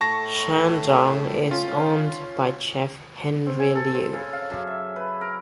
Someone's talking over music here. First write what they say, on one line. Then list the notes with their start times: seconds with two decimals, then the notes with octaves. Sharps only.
Shandong is owned by chef Henry Liu.
0.01 A2 A5 C#6 A#6
1.51 C#4 F4
3.46 C4
3.60 G#5
3.75 A4
3.95 C4
4.13 C#3
4.33 F5
4.50 F#2
4.67 E5
4.96 B4
5.21 A#4